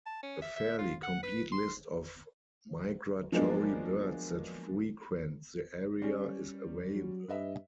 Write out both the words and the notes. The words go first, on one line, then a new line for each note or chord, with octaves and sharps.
A fairly complete list of migratory birds that frequent the area is available.
A5
C#4
E5
E5
F4
F#5
B4
C6
F3 F#3 G#3 A#3 B3 D4
G3 C#4
F#3
G2 B4 D#5 E5